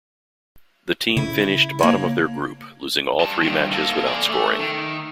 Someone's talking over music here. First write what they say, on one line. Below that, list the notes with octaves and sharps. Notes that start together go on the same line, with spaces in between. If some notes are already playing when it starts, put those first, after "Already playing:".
The team finished bottom of their group, losing all three matches without scoring.
C#3 E4
A#3 C#5 A5
G3 A5
G2 D#3
A#3 A4
G#4 D5
A3
D#3